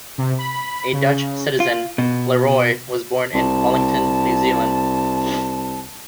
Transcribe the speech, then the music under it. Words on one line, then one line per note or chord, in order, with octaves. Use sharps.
A Dutch citizen, Leroi was born in Wellington, New Zealand.
C3
B5
C#3
F4
B2
C2 A5